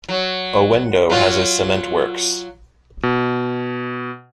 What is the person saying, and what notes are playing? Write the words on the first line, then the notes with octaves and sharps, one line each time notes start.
Owendo has a cement works.
F#3
F#3 F4
B2